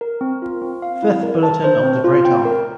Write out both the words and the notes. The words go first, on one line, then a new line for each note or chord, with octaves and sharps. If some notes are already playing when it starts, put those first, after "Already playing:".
Fifth bulletin of the Great Army.
A#4
C4
F4
C4
F5
E4
A#4
A5
C5
C4
F4
G5
A#4